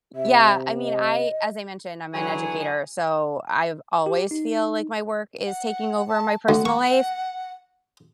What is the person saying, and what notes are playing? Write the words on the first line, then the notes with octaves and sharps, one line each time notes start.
Yeah, I mean, I As I mentioned, I'm an educator, so, I've always feel like my work is taking over my personal life,
C3 E5
D#5
D3 E3 F#3 G#4 B4
G4
D#4
F#5
A5
D2 F#5
C#6